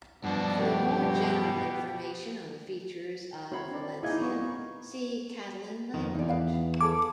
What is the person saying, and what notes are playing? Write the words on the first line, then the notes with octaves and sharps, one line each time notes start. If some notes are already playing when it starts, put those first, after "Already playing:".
For more general information on the features of Valencian, see Catalan language.
G2 B2 F3 D4
G4
C4 E4 F#4 C#5 B5
D4 D5
A#2 D#4 E4 G#4 D#5 F5 G#6
B3 C#6
F2 D#3
E2 D#4 D5
B4 F5
G#4 A4 B4 D6